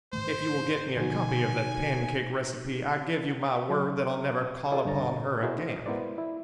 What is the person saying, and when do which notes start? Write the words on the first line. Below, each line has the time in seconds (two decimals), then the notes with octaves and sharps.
If you will get me a copy of that pancake recipe, I give you my word that I'll never call upon her again.'
0.13 G#2 D#3 A3 C5
0.97 B2 D3 F3 D#4 F#4 G#5
3.70 F#3
4.72 F4 G#4 A4 D5 D#5
4.85 G2 D3 C#5 A#5 A6
5.42 E4 F#4 G#4 A#4 C5 D#5
5.86 G#3 B3 E4 A#4 C5 D5
6.18 E4